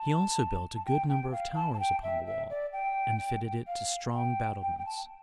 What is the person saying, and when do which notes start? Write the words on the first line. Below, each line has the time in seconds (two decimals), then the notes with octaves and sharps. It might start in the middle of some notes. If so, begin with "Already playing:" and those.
He also built a good number of towers upon the wall, and fitted it to strong battlements.
Already playing: A5
0.76 A5
0.86 G5
1.09 G5
1.32 F5
1.55 A5
1.73 A5
1.80 G5
2.03 E5
2.26 E5
2.50 D5
2.73 G5
3.67 F5
4.14 G5
4.62 G5
4.79 G5
4.85 A5